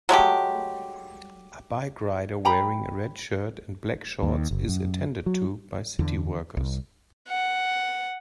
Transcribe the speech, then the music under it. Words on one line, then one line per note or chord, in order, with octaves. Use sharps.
A bike rider wearing a red shirt and black shorts is attended to by city workers.
F#3 G#3 A3 G4
G5 A#5 B5
D#2
F#1
F#2
F#3
E2 D3
C2
F#5